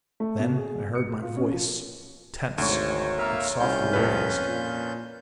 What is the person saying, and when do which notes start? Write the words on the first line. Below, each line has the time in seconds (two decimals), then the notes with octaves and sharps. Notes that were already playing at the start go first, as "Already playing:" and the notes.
Then I heard my voice, tense but softly raised.
0.20 A3
0.40 B2
0.57 G#4
0.95 C#7
1.22 F4
1.37 C#4
1.52 F3
2.58 G#1 D2 C#5 C6
3.18 A#3 A#4 E5 F5
3.60 C2 C#4 F4 G6
3.93 F2 B4
4.47 A#2